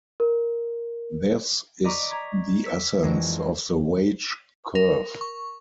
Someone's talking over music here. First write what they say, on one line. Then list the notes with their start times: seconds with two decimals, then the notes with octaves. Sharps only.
This is the essence of the wage curve.
0.20 A#4
1.84 D5 D#5 A#5 B5 C#6 D6
2.10 A#5 G#6 B6
2.64 E6 B6
3.03 F2 E3 F#3 G#3 A#3 D4
4.75 A#4
5.21 C#6